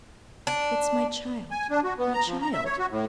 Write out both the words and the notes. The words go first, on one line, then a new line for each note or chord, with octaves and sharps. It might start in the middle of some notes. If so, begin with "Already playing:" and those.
"It's my child, my child!"
D4
G#5
D4
F#4
B3
A#5
F3
A#5
E5
C#5
F#4
A2